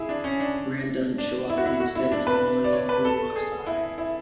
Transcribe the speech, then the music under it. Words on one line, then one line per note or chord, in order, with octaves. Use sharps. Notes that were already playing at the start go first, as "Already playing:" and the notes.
Brand doesn't show up, and instead it's Molly who walks by.
Already playing: E4 G#4
D4
C#4
D4
D4
E4
F#4
E4
F#4
E4
D4
B4
D5
C#5
B4
A4
G#4
E4
E4